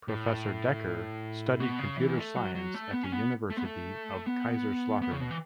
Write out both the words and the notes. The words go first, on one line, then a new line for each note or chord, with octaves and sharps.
Professor Decker studied Computer Science at the University of Kaiserslautern.
A2
B2
C#3
E3
B3
A3
F#3
F#3
A3
B3
C#4
B3
A3
B3
A3
B3
B3
C#3
B2
E3